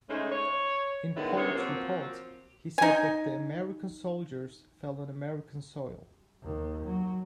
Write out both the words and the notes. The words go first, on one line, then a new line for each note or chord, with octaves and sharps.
In Polk's report, he said that the American soldiers fell on American soil.
C#3 G#3 A3 C#4 D#4 C5
C#5
D3 D#3 F#3 G#3 B3 E4
F#2 C3 B3 C5 C#5
F3 F#3 A#3 C4
D#4 G#5
D#2
F#3